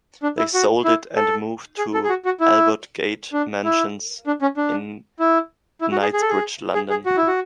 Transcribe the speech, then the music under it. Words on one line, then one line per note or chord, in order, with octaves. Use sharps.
They sold it and moved to Albert Gate Mansions in Knightsbridge, London.
D4
E4
F#4
E4
A4
G#4
A4
G#4
F#4
F#4
E4
D4
E4
D4
C#4
D4
E4
E4
F#4
G#4
G#4
A4
G#4
G#4
G#4
F#4
E4
F#4